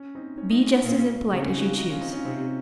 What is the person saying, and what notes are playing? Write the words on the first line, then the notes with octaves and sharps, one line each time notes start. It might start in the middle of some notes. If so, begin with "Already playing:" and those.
Be just as impolite as you choose.
Already playing: C#4
C4 D#4
C#4
D#4
C#4
A#2
C#3 C4
C#4
D#4 F#4
F4 G#4
D#4 F#4
C#4 F4
C4 D#4
C#4 F4
C3 C4 D#4